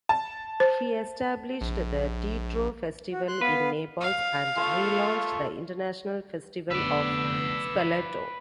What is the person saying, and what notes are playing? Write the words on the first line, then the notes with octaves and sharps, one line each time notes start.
He established the Teatro Festival in Naples and re-launched the International Festival of Spoleto.
A5
C5
A#1
F#4
C6 F#6
B3 B4 F5
F5
F4 A4 C#6
F1 D3 B3 B4 D5 E6